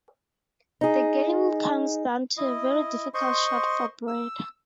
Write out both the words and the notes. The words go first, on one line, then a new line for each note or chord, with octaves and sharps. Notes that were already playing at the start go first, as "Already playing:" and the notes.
The game comes down to a very difficult shot for Brad.
D#4 G#4
E4 D#5
C5 D#5 C6 C#6
E6